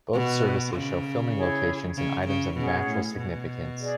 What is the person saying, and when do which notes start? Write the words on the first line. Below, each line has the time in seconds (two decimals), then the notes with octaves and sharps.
Both services show filming locations and items of natural significance.
0.13 B2 F#4 B4 F#5
0.75 C#3
1.36 E4 G#4 C#5
1.96 C#3
2.27 C#3
2.57 B2 C#4 G#4 C#5 F#5
2.88 A2
3.18 B2
3.80 G#4 D5